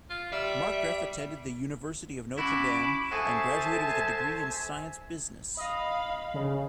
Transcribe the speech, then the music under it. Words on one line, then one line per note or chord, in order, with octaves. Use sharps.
Markgraf attended the University of Notre Dame and graduated with a degree in Science-Business.
F4
G3 E5
C#4 E4 F#4 B5 D6
F#4 G#4 A4 C5 E5 G#5 A5
D#5 F5 B5
C#3